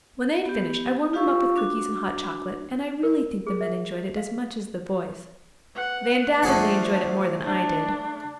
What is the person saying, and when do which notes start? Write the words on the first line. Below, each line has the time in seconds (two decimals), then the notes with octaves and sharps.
When they had finished, I warmed them up with cookies and hot chocolate, and I really think the men enjoyed it as much as the boys; they undoubtedly enjoyed it more than I did.
0.46 B3 G4
1.13 F4 G4 B4 F5 C#6 E6
1.56 D4 F#4
3.03 A#4
3.47 G#4
3.61 E5
4.17 F5
5.76 B4 F#5
6.43 F3 A3 D4 G#4 C5 F#5
7.43 D4